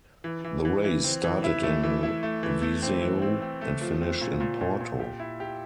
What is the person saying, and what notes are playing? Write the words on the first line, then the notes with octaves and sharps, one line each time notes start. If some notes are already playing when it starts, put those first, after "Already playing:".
The race started in Viseu and finished in Porto.
E3
E3
E3
E3
C4
E3
E4
A3
E3
E4
A3
E3
A3
C4
E3
C4
C4
A3
F3
C4
A#2
A#2
A#2
A#2
G4
E4
G4